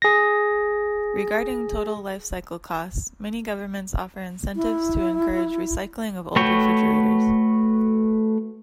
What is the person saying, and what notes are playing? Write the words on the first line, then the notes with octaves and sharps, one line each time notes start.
Regarding total life-cycle costs, many governments offer incentives to encourage recycling of old refrigerators.
G#4 A#6
E4
A3 F#4 B4 C#5 G5